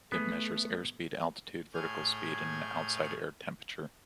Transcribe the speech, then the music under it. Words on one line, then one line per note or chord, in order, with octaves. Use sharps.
It measures airspeed, altitude, vertical speed, and outside air temperature.
A3 B3 G#4
A2 G#4 F6 G6 G#6